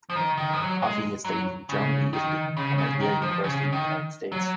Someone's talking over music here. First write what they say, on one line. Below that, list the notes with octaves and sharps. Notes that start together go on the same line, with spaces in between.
Otte had studied in Germany, Italy, and at Yale University in the United States.
F3
D#3
D#3
F3
F#3
G#3
F#3
C#3
D#3
C#3
C#3
D#3
F3
C#3
D#3
F#3